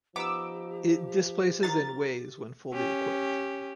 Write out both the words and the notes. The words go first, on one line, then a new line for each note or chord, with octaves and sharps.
It displaces and weighs when fully equipped.
F3 B3 D#4 G4 D6 E6
F#3 D#4 A#4 A6
C#4 G4